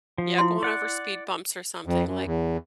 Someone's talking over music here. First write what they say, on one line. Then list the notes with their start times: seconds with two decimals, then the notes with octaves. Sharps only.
yeah, going over speed bumps or something, like
0.18 F3
0.38 E4 C6
0.63 D5 F#5
1.86 F2
2.06 F#2
2.25 E2